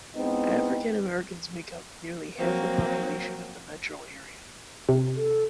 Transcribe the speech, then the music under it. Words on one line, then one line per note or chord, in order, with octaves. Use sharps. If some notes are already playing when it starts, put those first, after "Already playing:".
African-Americans make up nearly half the population of the metro area.
G#3 B3 C4 D#4 E4 B4
F3 F#3 A#3 C4
C3
A4